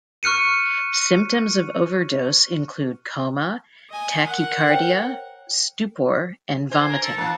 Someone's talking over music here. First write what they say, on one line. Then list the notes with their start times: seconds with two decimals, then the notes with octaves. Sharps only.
Symptoms of overdose include coma, tachycardia, stupor, and vomiting.
0.23 C#6 F6 F#6 C#7 D#7
3.90 D#5 G#5
4.26 A#4 F#5
4.70 C5 C#5 G5
6.71 D4 C5 G#5
6.89 A#4
7.02 A4
7.17 E3 A#3 D4 A5